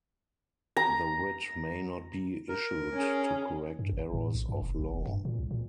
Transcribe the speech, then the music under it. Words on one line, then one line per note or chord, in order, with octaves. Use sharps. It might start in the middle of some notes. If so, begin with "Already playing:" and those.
The writ may not be issued to correct errors of law.
A#5
A#4
C#4 G#4
G2
G#1
A2
A#1
G2
F1
B1
F1
G2
A#2
C2
A#2